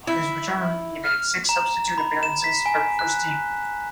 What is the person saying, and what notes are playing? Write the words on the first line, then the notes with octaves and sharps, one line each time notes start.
On his return, he made six substitute appearances for the first team.
E4 E5
F6
A#5
B5
E7
B6
G#5
F#6